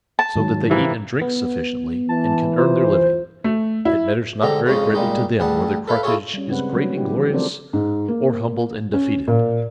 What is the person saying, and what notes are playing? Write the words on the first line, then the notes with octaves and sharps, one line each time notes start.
So that they eat and drink sufficiently, and can earn their living, it matters not very greatly to them whether Carthage is great and glorious, or humbled and defeated.
A5
G#2 D#3 F#3
C3 E3 A#3
B3
E3 A5
F4 C5
A3
E4
G#2 D3 G4 A4 A#5
F2 C#3 G#3 C#4 D#4
A#2 G3 G#3 D#4
A1 G3 G#4 F#5 A5
A4 B4 E5 F5
E4 F4 G#4 A4 C#5
G3 C#4
C#3 G#3 C4 B4 F#5
F#3 G3 A3 C4 C#4
G#3 D4 E4 G4
E3
F3 C4 A4 A#4 C5 D5
G#2
A#3
C#4
A#2